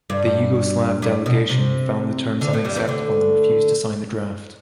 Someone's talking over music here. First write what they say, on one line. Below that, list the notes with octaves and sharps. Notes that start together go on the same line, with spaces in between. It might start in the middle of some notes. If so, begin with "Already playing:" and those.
The Yugoslav delegation found the terms unacceptable and refused to sign the draft.
G2
G2
B2
C3
D2 D3
A2 A3
G2 G3
E2 E3
D2 D3